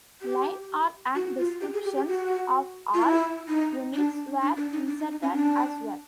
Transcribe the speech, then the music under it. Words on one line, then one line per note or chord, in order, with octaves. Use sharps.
Line art and descriptions of all units were inserted as well.
G4
F#4
F4
G4
G#4
G4
G4
F#4
F4
E4
D#4
D4
D4
D4
D#4
D4
D#4
D#4
C#4
D4